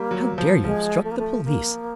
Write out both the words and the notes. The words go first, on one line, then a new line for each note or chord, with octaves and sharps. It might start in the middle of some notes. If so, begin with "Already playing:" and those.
How dare you obstruct the Police?
Already playing: G3 A#3
F#3
F3
F3 G#3
A3
A#3
A3
A#3